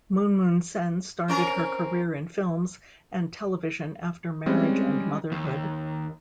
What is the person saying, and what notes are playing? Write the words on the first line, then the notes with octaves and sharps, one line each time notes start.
Moon Moon Sen started her career in films and television after marriage and motherhood.
C4 C#4 A#4
G3 G#3 C4 C#4
D#2